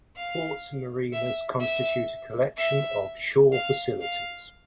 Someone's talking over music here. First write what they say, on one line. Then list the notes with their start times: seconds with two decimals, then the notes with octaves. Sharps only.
Ports and marinas constitute a collection of shore facilities.
0.17 F5
1.13 E5
1.60 E5
2.57 E5
3.52 F5
4.01 F5